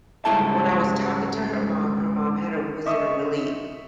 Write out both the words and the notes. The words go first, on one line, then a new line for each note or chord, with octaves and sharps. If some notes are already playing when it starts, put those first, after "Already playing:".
when I was talking to her mom, her mom had a was in a really,
C#2 G#2 G3 E4 A4 A5
D#5 E5 C#6 D#6